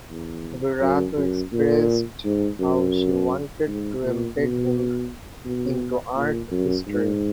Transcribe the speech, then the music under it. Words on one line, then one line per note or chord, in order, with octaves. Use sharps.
Guirado expressed how she wanted to embed him into art history.
E2
F#2
F#2
A#2
G#2
F#2
G#2
A#2
B2
B2
A#2
F#2
G#2